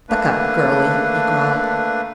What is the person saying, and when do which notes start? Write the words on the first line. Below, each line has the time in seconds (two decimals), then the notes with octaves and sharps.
"Buck up, girlie!" he growled.
0.09 A3 A#3 D4 B4